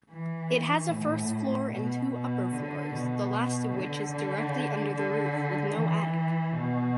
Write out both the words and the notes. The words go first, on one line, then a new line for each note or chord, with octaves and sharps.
It has a first floor and two upper floors, the last of which is directly under the roof, with no attic.
E3
A2
B2
B2
D3
B2
D3
D3
D3
E3
B2